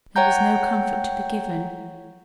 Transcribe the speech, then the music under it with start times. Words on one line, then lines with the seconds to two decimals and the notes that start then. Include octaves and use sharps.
There was no comfort to be given.
0.16 C#5 F#5 G5 A#5 G6